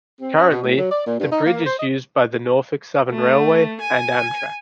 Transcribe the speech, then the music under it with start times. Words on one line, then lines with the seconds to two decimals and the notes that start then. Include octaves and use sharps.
Currently, the bridge is used by the Norfolk Southern Railway and Amtrak.
0.21 C4
0.37 C#4
0.51 B2
0.63 A2
0.78 F#3
0.90 D5
1.06 A#2
1.19 G2
1.31 D#4
1.45 A#3
1.65 C5
1.77 D#5
3.10 A3
3.81 G#5